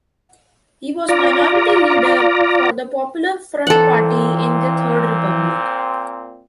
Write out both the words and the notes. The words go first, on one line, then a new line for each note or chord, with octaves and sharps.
He was minority leader for the Popular Front Party in the third republic.
F4 D5 A#5
A#2 E3 C4 A4 F#5